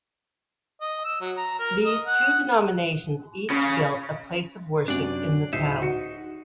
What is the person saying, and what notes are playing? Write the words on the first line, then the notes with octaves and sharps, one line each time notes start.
These two denominations each built a place of worship in the town.
D#5
E6
F#3
A#5
A#4
D#5
F#5
C#3
F#2 C3 D4 D5
D1 D#4 E5 C7
F#4 C#7